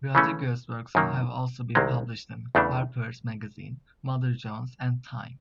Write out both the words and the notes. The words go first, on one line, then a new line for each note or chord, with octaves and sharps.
Rodriguez's works have also been published in "Harper's Magazine", "Mother Jones", and "Time".
C#3 E3 A3 C#4
F#2 D#3 F#3 A#3
C2 C3 D#3 G#3 C4
E2 C#3 E3 A3 D4